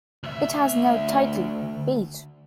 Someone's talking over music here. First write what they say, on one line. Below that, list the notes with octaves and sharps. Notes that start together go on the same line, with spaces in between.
It has no title-page.
D2 E5